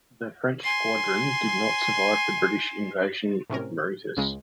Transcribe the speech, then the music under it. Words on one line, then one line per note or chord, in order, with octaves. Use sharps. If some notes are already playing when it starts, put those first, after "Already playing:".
The French squadron did not survive the British invasion of Mauritius.
G#5 C6
A2 C3 C#4 A#4
C#2 C#3 G#3